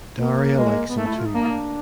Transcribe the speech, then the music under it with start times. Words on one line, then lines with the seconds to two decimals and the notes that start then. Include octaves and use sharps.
Daria likes him too.
0.19 A#3
0.57 G#3
0.88 B3
0.96 A3 A#3
1.06 E4
1.17 F4
1.25 D#4
1.35 A#3 D4
1.43 D#4
1.50 D4